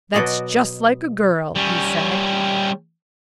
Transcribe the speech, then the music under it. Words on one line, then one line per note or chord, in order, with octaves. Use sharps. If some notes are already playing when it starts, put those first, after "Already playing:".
"That's just like a girl," he said.
B2 F#3 F#4 D5 D#5
G3 C#4